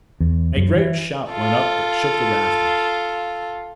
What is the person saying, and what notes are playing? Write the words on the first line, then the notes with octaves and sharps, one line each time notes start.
A great shout went up that shook the rafters.
E2
F#2
E3
F4 A4